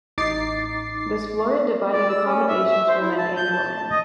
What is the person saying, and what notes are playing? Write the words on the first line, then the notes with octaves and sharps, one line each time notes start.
This floor had divided accommodations for men and women.
A1 D#4 D6 A6 C7
D5
E6
C#4
E5
E5
C5
E4
A5
G6
A5
D#5